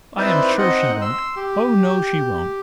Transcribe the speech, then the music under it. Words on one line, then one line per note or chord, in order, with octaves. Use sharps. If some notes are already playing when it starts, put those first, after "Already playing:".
I am sure she won't. Oh, no, she won't.
C4 D#4 E4 B4 C5 D5
C4 D#4 D#5 F#5
C6 E6
G4